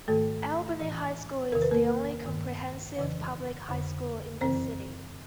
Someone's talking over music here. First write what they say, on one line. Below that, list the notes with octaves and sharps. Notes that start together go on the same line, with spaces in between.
Albany High School is the only comprehensive public high school in the city.
G#2 D#3 A3 A4
A2 E3
E2 C3 D#3 A#4
B4
A#3 A#4
G2 D#3
F2 C#3 E3
F2 D3
F#2 C#3 E3 C4 C5